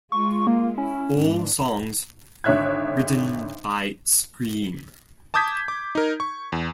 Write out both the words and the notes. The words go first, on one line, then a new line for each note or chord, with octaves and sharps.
All songs written by Scream.
G#3 F4 C#6
A#3
C#4 E4
G#2 E3 D4
G#1 D3 C#5 E5 F#6 G#6
A5 D6 D#6 G6 G#6 B6
D6
D#4 A#4
C#6
E2